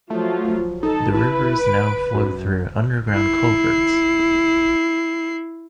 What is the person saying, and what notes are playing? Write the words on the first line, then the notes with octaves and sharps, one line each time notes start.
The rivers now flow through underground culverts.
F3 F#3 A3 F4
D#4 A4 A5
E4 B4
D7
F#2
E4 C7